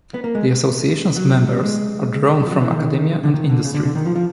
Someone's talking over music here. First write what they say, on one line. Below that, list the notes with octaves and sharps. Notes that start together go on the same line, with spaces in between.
The association's members are drawn from academia and industry.
B3
A#3
G#3
F#3
G3
G#3
G3
F3
F#3
E3
D#3
D3
D#3
D3
C#3
D3
D3
D#3
F3
F3